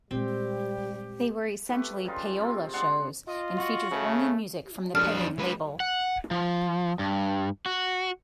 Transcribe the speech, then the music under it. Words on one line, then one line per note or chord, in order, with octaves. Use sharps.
They were essentially 'payola' shows, and featured only music from the paying label.
A#2 G3 G#3 C4 G4
A3 G4 B4
C#3 G3 D#4 F4
C3 C4 F4
G#3 D4 F#5 C6
F4 D#5
F#4
C#3 A3
F2 D4 F6
G#3 B4
F#5
F3
G2
F#4